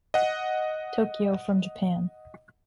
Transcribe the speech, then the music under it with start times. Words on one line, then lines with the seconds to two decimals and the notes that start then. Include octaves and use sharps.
Tokyo from Japan.
0.14 D#5 F#5